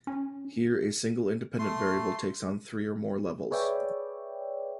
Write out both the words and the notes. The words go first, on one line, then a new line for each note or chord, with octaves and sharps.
Here a single independent variable takes on three or more levels.
C#4
A3 C6
G#4 B4 C#5 D5 E5 G5